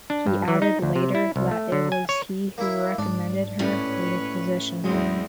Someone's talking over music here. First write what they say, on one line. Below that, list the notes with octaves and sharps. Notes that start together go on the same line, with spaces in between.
He added later that it was he who recommended her for the position.
D4
G2
E3
D#4
D2
C3
E4
C2
A3
D3
G#5
C#5
A#3 E4 E5
G#2 D4
A2 C#4 B4 C#5
E2 F#3 G#3 C4